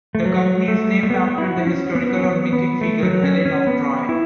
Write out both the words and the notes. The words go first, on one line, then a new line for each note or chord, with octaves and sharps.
The company is named after the historical or mythic figure Helen of Troy.
A3
F#3
A3
A3
B3
E4
F#4
E4
C#4
B3
C#4
B3
B3
A3
F#3
C#4
C#4
B3
E4